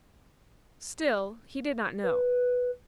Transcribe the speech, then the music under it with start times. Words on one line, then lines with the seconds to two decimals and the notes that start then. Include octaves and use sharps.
Still he did not know.
2.04 B4